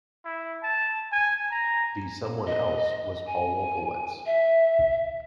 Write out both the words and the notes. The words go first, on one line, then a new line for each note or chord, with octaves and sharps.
The someone else was Paul Wolfowitz.
E4
A5
G#5
A#5
D#5
G#5
E5